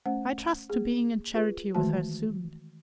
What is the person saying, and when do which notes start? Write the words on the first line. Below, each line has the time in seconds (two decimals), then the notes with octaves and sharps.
I trust to being in charity with her soon.
0.06 A3 C#4 C5 F#5
0.70 A#3 G#4
1.34 F4 G#4 B4
1.75 D#3 E3 G#3 A3 F#4 A5